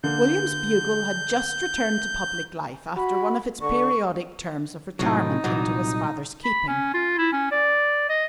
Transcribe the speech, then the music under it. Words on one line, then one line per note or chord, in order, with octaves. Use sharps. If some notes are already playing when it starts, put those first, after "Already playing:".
William's bugle had just returned to public life after one of its periodic terms of retirement into his father's keeping.
D3 A#3 G6
F#4 B5
D3 C#6
A2 C3 F#3 D#4
C2 A#2 F#3
B5
C#4
F4
E4
C#4
D5
D#5